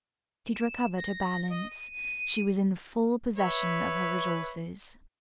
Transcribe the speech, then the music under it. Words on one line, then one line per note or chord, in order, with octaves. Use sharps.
She had recovered her balance; she was in full possession of her resources.
E7
A#6
D#5
D#7
B4 C#5 E5